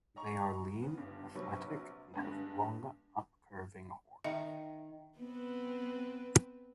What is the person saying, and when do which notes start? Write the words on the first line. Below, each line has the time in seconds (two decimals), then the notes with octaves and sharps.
They are lean, athletic, and have long upcurving horns.
0.16 D#5 A#5 C#6
0.81 C#3 B3
0.97 G1 G2
1.35 A#1 C3 F#3 B4 C#6
2.14 G2 D3 G#3 B3
4.24 D#3 E5
5.18 B3 C4 B4